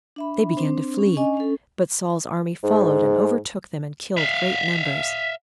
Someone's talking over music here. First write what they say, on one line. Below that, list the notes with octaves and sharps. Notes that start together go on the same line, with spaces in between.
They began to flee. But Saul's army followed and overtook them and killed great numbers.
D4 E5 B5
C4 D4 C5
C#4
C#4 D4 D#5 G#5
C#4 A4
G#2
E5 F5